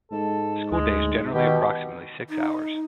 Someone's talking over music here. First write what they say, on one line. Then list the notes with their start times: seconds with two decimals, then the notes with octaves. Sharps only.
The school day is generally approximately six hours.
0.12 G#2 A4
0.71 D2 G#3
1.33 B2 D#3 G4
2.28 D#4